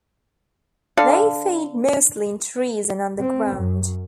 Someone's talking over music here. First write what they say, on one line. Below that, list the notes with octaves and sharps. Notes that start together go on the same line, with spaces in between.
They feed mostly in trees and on the ground.
D3 D4 A4 F5
C4
F#2